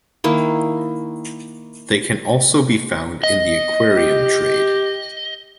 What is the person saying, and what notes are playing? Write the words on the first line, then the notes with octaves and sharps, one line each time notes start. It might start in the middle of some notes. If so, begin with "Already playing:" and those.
They can also be found in the aquarium trade.
D#3 A#3 E4
D#5
G4